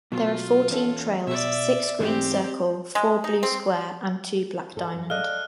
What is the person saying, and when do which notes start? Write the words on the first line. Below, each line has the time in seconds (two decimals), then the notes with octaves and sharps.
There are fourteen trails, six Green Circle, four Blue Square, and two Black Diamond.
0.12 B2 F#3 F4
0.70 E2 C#4 A4
1.27 B2 D5 E5
2.00 G#2 E3 G#3 C4 G4
2.95 G#3
3.24 D#4
3.43 C4
4.77 A4
4.94 F#2
5.10 A4 D5 D#5 F5 F6 F#6